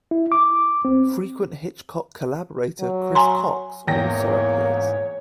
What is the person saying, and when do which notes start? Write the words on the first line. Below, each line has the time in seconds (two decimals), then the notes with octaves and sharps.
Frequent Hitchcock collaborator Chris Cox also appears.
0.11 E4
0.32 D6
0.85 C4
2.80 F#3
3.15 G#5 A#5 C6
3.87 E2 G#2 A#3 C#5 G5 A#6